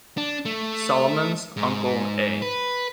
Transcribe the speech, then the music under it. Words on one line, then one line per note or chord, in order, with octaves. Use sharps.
Solomon's uncle, A.
D4
A3
G#2
B4